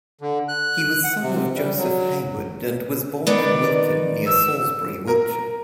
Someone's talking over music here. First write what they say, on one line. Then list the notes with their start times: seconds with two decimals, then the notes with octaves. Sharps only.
He was son of Joseph Hayward, and was born in Wilton, near Salisbury, Wiltshire.
0.21 D3
0.48 F#6
1.04 F#5
1.21 C3
1.56 G3
1.77 F#3
3.27 D#3 B3 D#4 D5
4.27 E6
5.08 A#4